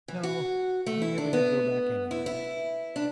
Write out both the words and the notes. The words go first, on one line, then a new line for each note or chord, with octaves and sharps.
No, we never did go back anywhere.
E3
F#4
A3
E4
D4
B3
E4
E4
D4